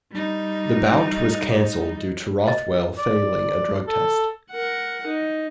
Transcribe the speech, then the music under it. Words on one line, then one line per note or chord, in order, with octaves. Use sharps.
The bout was canceled due to Rothwell failing a drug test.
G3 D#4
D#5
D5
A4
A#4 F#5
D#4